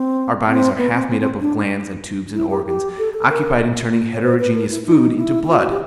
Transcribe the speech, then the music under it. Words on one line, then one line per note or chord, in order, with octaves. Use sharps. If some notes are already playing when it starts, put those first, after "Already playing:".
Our bodies are half made up of glands and tubes and organs, occupied in turning heterogeneous food into blood.
Already playing: C4
C4
B3
C4
C4
C4
D4
E4
G4
G4
A4
A4
A#4
C#5
C5
B4
A#4
E4
E4
D#4
E4
E4
F4
F#4
G4